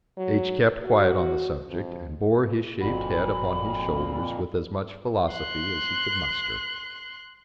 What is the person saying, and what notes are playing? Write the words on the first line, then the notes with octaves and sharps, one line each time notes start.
H-- kept quiet on the subject, and bore his shaved head upon his shoulders with as much philosophy as he could muster.
F#3
F#4
F2
G1 F2 A#2 F#4 B5
C6 F#6